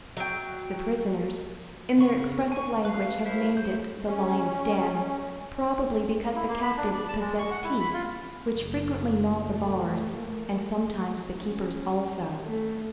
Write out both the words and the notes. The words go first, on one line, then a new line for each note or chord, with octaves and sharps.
The prisoners, in their expressive language, have named it the "Lions' Den," probably because the captives possess teeth which frequently gnaw the bars, and sometimes the keepers also.
F#3 G5
C#3 C#6
G#5 C#6
B4 F5
E4 A#4 C5 E5 F5
F#3 G#3 C5 G6
C#4
E4
A#3
B5
D4
D5
A5
G#3
C#6
F#5
E4
B5
F4
F#1
A3
A3 A#3
C#4
A3